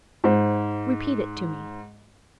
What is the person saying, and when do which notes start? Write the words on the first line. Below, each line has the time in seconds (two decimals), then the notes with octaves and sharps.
"Repeat it to me."
0.24 G#2 C5